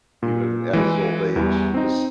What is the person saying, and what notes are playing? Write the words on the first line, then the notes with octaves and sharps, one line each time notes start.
even at his old age, he just
A#2
E3 G#3
E2 E3 G3
C4 D#4